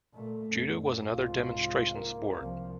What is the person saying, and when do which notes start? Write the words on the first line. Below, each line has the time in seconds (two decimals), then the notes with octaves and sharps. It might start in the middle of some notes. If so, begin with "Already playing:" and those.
Judo was another demonstration sport.
0.14 A#2 A3
0.51 F#2
1.12 C2 G#2 F4
1.95 A#3
2.38 C2 F3